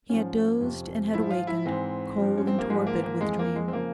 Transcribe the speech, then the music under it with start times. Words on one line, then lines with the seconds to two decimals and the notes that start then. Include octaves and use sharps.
He had dozed and had awakened, cold and torpid with dream.
0.10 G#2 F3 C#4
0.61 F2 C3 F3
1.13 G#2 F3 E4
1.30 F4
1.47 E4
1.65 G#2 E3 C4
2.17 G2 F3
2.38 C#4
2.47 C4
2.59 A#3
2.69 G#2 F3 G#3
2.87 A#3
3.04 A#3
3.21 F2 E3 G#3
3.39 A#3
3.56 G#3
3.68 C4
3.73 C#3 F3 A#3